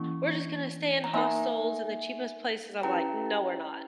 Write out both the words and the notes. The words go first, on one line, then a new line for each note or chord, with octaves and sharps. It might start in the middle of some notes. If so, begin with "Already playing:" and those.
"We're just gonna stay in hostels in the cheapest places," I'm like, "No, we're not.
Already playing: E3 A#3 C#4 E4 C#6
A#5
A#3 D#4 A#4 E5 G#5
C#4 E4 G4 B4 G5 A#5